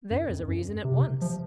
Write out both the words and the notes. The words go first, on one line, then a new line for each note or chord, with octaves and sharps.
There is a reason at once.
F#2
F2
F#2
C3
F3